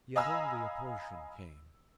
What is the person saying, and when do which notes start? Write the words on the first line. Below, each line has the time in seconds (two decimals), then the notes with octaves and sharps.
Yet only a portion came.
0.16 D#5 F5 G#5 A#5 B5 E6